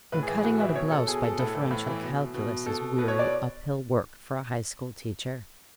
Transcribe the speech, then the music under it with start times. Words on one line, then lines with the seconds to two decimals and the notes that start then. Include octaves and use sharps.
And cutting out a blouse by differential calculus is weary, uphill work for a high-school teacher.
0.12 A2 B4
0.23 G#4
0.28 E3
0.34 G#4
0.44 A2 F#4
0.60 E3 E5
0.75 B2 C#5
0.91 A4
1.07 B2 G#4
1.24 A4
1.39 A2 A4
1.54 E3
1.71 A2
1.87 E3
2.03 B2
2.34 B2
2.66 B2 A4
2.98 B2 B4
3.08 C#5
3.19 D5